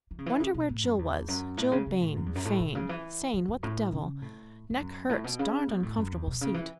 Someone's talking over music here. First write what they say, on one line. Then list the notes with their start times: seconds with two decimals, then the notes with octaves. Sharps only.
Wonder where Jill was--Jill Bayne, Fayne, Sayne--what the devil--neck hurts, darned uncomfortable seat.
0.11 E3
0.18 C#3
0.26 E3
0.40 C#3
0.54 B2
0.69 A2
0.84 F#2
0.99 E2
1.28 F#2
1.57 A2
1.72 C#3
1.87 C#3
2.01 A2
2.16 F#2
2.26 E2
2.35 F#2
2.45 A2
2.60 B2
2.75 C#3
2.89 E3
3.33 E3
3.48 F#2
3.63 A2
3.92 C#3
4.22 A2
4.70 A2
4.80 F#2
5.10 A2
5.24 B2
5.39 C#3
5.68 B2
5.83 A2
5.97 F#2
6.12 E2
6.27 B2
6.41 C#3
6.54 E3